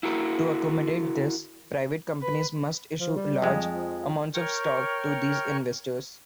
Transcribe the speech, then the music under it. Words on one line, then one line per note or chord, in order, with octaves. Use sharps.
To accommodate this, private companies must issue large amounts of stock to these investors.
E4 F#4 A#4
B4
F3
G3
F2 G#3
F3
A#4 C#5 G5 C#6 F6